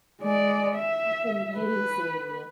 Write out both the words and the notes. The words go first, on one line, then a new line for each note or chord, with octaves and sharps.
That's amazing.
G#3 D5
E5
B4